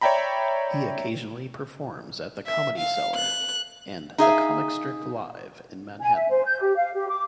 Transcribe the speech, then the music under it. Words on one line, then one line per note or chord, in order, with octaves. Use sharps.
He occasionally performs at the Comedy Cellar and the Comic Strip Live in Manhattan.
C#5 D5 E5 G5 A#5 B5
E5
F5
F#6
D#4 G#4 E5 F5
G#5
E5
C5
G6
G4
F5
G4
D6